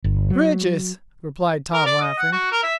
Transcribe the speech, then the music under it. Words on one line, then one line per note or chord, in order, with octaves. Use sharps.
"Bridges," replied Tom, laughing.
G1
F#3
A#4
D5
D#5
F#5
F#4
A#4
E5